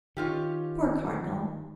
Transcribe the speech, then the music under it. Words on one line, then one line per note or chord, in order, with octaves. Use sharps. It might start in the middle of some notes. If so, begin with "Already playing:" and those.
Poor cardinal!
D#3 C#4 F4 G4